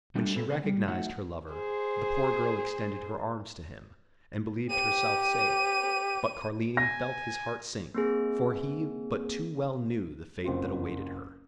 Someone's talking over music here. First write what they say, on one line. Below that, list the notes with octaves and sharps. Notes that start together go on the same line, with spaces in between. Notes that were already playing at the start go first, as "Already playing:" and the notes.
When she recognized her lover, the poor girl extended her arms to him, and believed herself safe; but Carlini felt his heart sink, for he but too well knew the fate that awaited her.
G3 A3 D4 F#4
A#2 A#3 A4 B4
C#3 A3 C#4 G#4 B4 C5
G3
F#3 A3 D#4 F#4 E5 F#5
G#4 C5
G4 D#7
G#5 A#6
A#3 C4 G#4
F#1 C4 F4